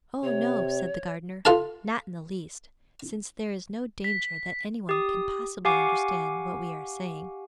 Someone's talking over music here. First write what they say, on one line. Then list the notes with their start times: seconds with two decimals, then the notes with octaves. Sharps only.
"Oh, no," said the gardener; "not in the least, since there is no danger that anyone can possibly understand what we are saying."
0.23 C3 C#5
1.45 F4 A4 F5 A5
4.04 B6
4.89 G4 D#6
5.65 G4 F5 F#5 G#5 C#6 D6